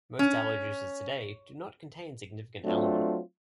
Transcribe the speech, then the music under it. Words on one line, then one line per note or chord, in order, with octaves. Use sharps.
Most aloe juices today do not contain significant aloin.
C#4
F#3 A3 C4 D4 F4